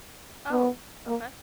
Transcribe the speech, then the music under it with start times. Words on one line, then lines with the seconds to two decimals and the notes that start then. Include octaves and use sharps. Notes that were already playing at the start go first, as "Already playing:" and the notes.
Oh, okay.
0.51 B3
1.07 A#3